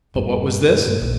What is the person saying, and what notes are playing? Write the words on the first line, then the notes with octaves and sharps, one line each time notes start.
But what was this?
E1 G2
F#2
G2 A#3
A#1 D#2